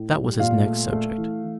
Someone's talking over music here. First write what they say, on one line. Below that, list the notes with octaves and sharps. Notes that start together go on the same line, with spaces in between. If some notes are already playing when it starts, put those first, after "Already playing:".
That was his next subject.
Already playing: A2
G3
A#2 F5
A3
A3
E3
E3